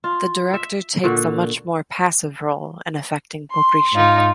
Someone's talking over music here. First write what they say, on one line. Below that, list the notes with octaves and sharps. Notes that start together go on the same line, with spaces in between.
The Director takes a much more passive role in affecting Poprishchin.
F4
E5
A#2 D3 F#4
C6
G#2 D#4 F4